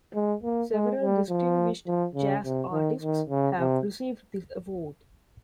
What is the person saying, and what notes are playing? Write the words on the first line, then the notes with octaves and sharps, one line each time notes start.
Several distinguished jazz artists have received this award.
G#3
A#3
G#3
G3
F3
F3
C#3
C3
D#3
D#3
C#3
C3